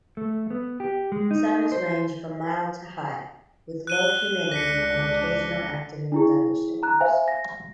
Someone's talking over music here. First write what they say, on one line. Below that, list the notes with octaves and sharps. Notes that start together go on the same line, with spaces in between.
Summers range from mild to hot, with low humidity and occasional afternoon thunderstorms.
A3
B3
G4
G#3
D#4
C5
F#6 D#7 G7
C#2 D4 A#6 B6 C#7
D4 E4 G#4
A#5 F#6
C5 E5 F5 G#5
A#6